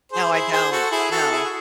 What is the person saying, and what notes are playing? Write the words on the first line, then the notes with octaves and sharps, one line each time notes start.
No, I don't, no,
G#4 C5
E4 G#4
G#4 C5
F#4 A4
E4 G#4
F#4 A4
E4 G#4
F#4